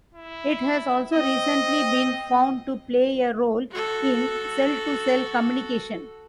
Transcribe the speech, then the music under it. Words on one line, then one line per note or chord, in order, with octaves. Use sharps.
It has also recently been found to play a role in cell-to-cell communication.
E4
C4 D#5
F#4 A4